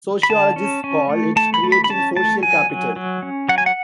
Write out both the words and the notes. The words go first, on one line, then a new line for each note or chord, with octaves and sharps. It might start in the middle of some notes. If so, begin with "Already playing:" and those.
Sociologists call it 'creating social capital.
B5
D3 A5
C#4
C#4
A3
A3 A5
B5
A3
B5
B5
C#4 A5
A3 A5
F#3 G#5
F#3
F#3
C#4
F#3 F#5
G#5
F#5